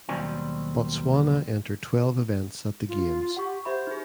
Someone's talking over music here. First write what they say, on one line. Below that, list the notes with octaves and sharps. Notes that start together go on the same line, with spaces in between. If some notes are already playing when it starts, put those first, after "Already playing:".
Botswana entered twelve events at the games.
D#2 B2 D#3 F#3 G3 C4
F4
G4 F#5 C#6
G4 C5 E5 B5
D#4 G#4